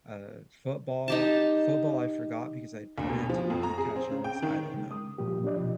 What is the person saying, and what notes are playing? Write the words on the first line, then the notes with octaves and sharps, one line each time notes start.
uh, football. Football, I forgot because I probably had too many concussions, I don't know,
D#4 G4 A5
D2
B2
F3
F2
A#5
G#4
C4
C#3
G5
D#3
C#3 G#3
D#6
A#2 F3 F#3 A#3 G4
D4 G4 D5 D#5
B2 F3